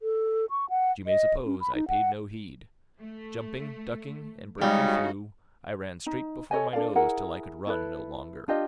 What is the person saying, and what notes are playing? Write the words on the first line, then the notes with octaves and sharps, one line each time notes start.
But you may suppose I paid no heed; jumping, ducking, and breaking through, I ran straight before my nose till I could run no longer.
A4
C#6
F#5
D#5
C#4
B5
D#4
F#5
A3
C#3 G3 G#3 D#4 F#4
D#4
A4 C#5 D#5 G#5
D4 A4 D5 F5
E4 G#4 A#4 F#5
E4 A4 B4
D4 F4 G4 D#5